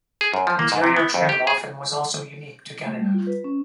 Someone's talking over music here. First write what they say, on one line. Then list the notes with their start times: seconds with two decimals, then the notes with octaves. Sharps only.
Interior trim often was also unique to Canada.
0.21 G#4
0.34 F#2
0.47 F3
0.59 A#3
0.72 G#2
0.84 C3
0.96 B3
1.14 F2
1.29 G4
1.47 G#4
2.86 A3
2.99 G3
3.14 F4
3.27 B4
3.44 C#4